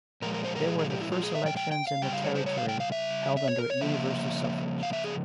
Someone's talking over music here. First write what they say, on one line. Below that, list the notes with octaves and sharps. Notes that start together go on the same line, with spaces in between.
They were the first elections in the territory held under universal suffrage.
A#2 F3 G#3 A#4
A#4
C5
A#4
G#4
G#4
G4
E4
F4
G#4
E5
G5
G5
G5
F5
C#3 G3 G5
F5
C#5
C5
C#5
F5
G5
F5
E5
E5
C#5
A#4
C#5
C#3 F3 A#3 E5
F5
E5
G#4